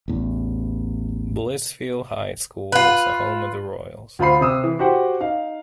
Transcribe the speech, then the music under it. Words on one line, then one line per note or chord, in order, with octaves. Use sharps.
Blissfield High School is the home of the Royals.
A1 E2
F4 B4
D2 F4 C5 B5 C7
C3 D#6 E6
E3
F#4 G4 C5 F#5 G5
D#4 F5